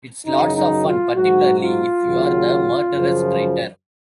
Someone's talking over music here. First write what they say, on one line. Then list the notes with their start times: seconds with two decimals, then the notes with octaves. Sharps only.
It's lots of fun, particularly if you're the murderous traitor.
0.26 F#2 C#3 F#3 D#4
0.55 D#4
0.84 F4
1.14 G#2 F#3 F#4
1.59 F4
2.03 D#2 C#3 F#3
2.91 F#2 C#3 F3